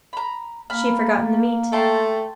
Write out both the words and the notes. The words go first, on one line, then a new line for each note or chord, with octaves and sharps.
She had forgotten the meat.
A#5 B5
A#3 B5 F6
A3 G5 A5 C6